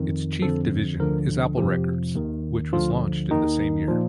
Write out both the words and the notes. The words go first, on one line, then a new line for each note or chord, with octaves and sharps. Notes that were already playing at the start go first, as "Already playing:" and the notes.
Its chief division is Apple Records, which was launched in the same year.
Already playing: F2 D#3
F2 D3 F3 A4
D2 D3 F3 A#4
F2 C3 F3 G4
D#2 D#3
D2 D3 F3 F4
D#2 D#3 D#4
A#2 F3